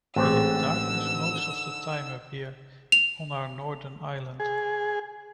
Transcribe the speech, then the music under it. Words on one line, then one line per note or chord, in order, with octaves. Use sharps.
We have darkness most of the time up here, on our northern island.
A1 G#2 D3 C4 D4 E6
F7
G#4